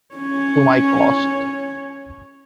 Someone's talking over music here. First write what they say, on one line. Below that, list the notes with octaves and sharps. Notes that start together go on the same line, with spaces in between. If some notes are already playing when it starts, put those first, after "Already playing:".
To my cost.'
C#4 C#5